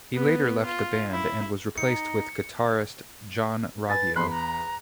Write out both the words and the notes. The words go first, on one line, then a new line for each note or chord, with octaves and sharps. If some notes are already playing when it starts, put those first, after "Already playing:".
He later left the band and was replaced with guitarist John Roggio.
B3
F4
E4
D#4 C#7
B4 G#5 A6
E2 B5 C6 F#6
A#5